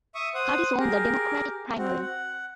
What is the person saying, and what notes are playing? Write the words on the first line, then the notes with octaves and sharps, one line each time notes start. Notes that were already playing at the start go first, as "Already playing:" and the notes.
Curtis won the Democratic primary.
E5 C#6 D#6
C5 F#5 D#6
G4 G#4 A#4
C4 F#4
F#5